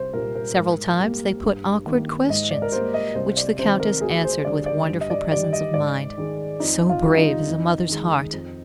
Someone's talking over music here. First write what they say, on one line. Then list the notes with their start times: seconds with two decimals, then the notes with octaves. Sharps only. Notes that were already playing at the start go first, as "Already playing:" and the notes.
Several times they put awkward questions, which the Countess answered with wonderful presence of mind. So brave is a mother's heart!
Already playing: C2 C5
0.13 A#2 G3 A#3 A#4
0.35 A#4
0.56 G#2
1.00 G3 A#3
1.43 G2
1.86 D#3 A#3
2.29 G#2 D#5
2.51 D5
2.62 A#4
2.72 G3 A#3 C5
2.94 D#5
3.15 C2 C5
3.37 D5
3.59 C3 D#3 C5
3.80 A#4
4.01 D2 G#4
4.24 C5
4.45 D3 G3 D5
4.66 D5
4.89 G2
5.01 D#5
5.10 D5
5.32 D#3 G3 D5
5.53 D#5
5.74 G#2 D5
6.18 D#3 G#3
6.60 F2 D#4
6.89 F4
7.03 D#3 G3
7.17 D#4
7.46 F2
7.89 D#3 G#3
8.33 F2